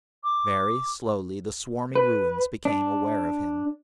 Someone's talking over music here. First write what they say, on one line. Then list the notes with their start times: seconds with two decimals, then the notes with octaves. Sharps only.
Very slowly the swarming ruins became aware of him.
0.24 D6
1.95 B4
2.65 D4